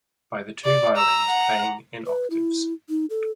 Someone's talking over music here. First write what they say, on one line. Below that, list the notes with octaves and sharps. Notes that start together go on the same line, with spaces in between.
By the two violins playing in octaves.
D5
A#5 E6
F#5
B4
E4
D#4
A4